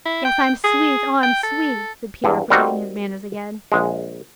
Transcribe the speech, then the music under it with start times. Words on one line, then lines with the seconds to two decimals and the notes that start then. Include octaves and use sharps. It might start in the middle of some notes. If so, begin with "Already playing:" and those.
"Yes, I'm sweet, oh, I am sweet!" said Peter, forgetting his manners again.
0.05 E4
0.25 G5
0.64 G#4
1.23 G5
1.43 A4
2.24 E2 G2
2.50 G3 A#3 C4 D#4 F#4
3.72 A#1 G#3